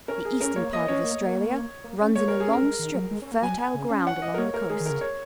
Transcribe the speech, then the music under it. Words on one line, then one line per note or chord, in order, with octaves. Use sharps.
The eastern part of Australia runs in a long strip of fertile ground along the coast.
C#4 A#4
G#4
C#4 A#4
A#3 C#5
A#3 D#5
C#4 C#5
A#3
A#3
A#3
C#4
A#3 C#5
A#3 A#4
G#4
C#4
A#4
G#3
D#3
F#3
G#3
C#4
A#3
F#3 G#5
G#5
C#3
C#4
F#5
D#5
A#4
A#3 C#5
A#3 A#4
G#3 G#4
D#3
C#3 A#4
C#5